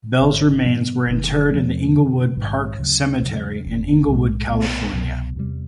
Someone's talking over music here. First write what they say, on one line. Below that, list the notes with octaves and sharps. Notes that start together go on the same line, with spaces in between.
Bell's remains were interred in the Inglewood Park Cemetery in Inglewood, California.
G#1 G2 E3
G#2 E3 G3 B3
F#1 F#2 D#3
E2 C3 F3 A3
F#2 C#3 E3
A#1 G#2 D#3 G3
D2 C#3 F#3
E2 C#3 F#3
F#1 E2 C#3
B1 A2 E3 G#3
B1 A#2 G3 B3
C2 B2 F#3
E2 C3 E3 G3